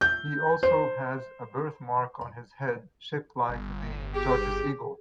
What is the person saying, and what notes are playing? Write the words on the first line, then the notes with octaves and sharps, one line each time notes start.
He also has a birthmark on his head shaped like the Judges' Eagle.
G6
C5
G1
G4 G#4